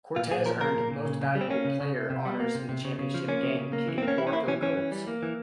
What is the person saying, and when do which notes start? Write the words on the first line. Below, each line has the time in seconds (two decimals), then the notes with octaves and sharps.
Cortez earned Most Valuable Player honors in the championship game, kicking four field goals.
0.16 A#2 F4
0.31 A#2 G#4
0.46 F3 A#4
0.61 A#3 A#4
0.77 A#2
0.92 A#2
1.05 C#3
1.21 C#3
1.35 G3
1.41 C4
1.50 A#3 C#4
1.65 C#3
1.81 C#3
1.95 C3
2.10 C3
2.25 G3
2.40 A#3
2.55 C3
2.69 C3
2.85 C#3
2.99 C#3
3.14 F3
3.28 A#3 C#4
3.43 C#3
3.59 C#3
3.73 A#3
3.88 E3
3.98 C4
4.02 A#3
4.08 C#4
4.18 E3 E4
4.27 C#4
4.32 A#3 E4
4.48 E3 C#4
4.62 E3 C#4
4.77 E3
4.92 G3
5.07 A#3
5.23 E3